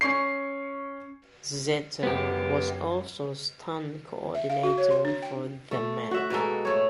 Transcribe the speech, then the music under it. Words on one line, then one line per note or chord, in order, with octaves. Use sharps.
Szeto was also stunt coordinator for The Meg.
C#4 C#6 C7
F#2 B3 G4
E5
F5
F#4
C#5
C6
D4
G5
A3
F#4 E5
B2 G#3 A#3 A4
A3 C#5